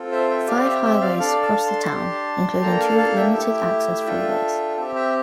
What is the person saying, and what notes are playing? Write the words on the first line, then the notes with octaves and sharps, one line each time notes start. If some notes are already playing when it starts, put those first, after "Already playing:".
Five highways cross the town, including two limited-access freeways.
Already playing: C4 F4 A4
C5 E5
E5 G5
C4 G4 D5 F5
E5 G5
E5 G5
D5 F5
D4 A4 D5 F5
F5 A5
A5 C6
D4 G4
A#3 D4 A4 G5 A#5
F5 A5
F5 A5
E5 G5
A3 E4 G4
D4 F4 A4
C4 G4 E5 G5
E5 G5